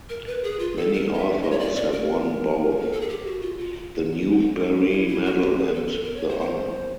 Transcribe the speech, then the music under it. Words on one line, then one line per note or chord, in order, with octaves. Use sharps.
Many authors have won both the Newbery Medal and the Honor.
A#4
B4
G#4
F4
A4
A#4
D#5
E5
D#5
C#5
D5
D5
A#4
A4
G#4
G4
F#4
F4
F4
E4
E4
F#4
G4
G#4
A4
A#4
A4
A#4
C#5
C5
C5